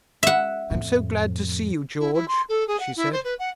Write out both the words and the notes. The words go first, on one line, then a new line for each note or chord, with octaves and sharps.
'I am so glad to see you, George,' she said.
E5 F#5
F2 A2
E4
E4
C6
A4
G#4
F#5
E4
C5
B4
F#5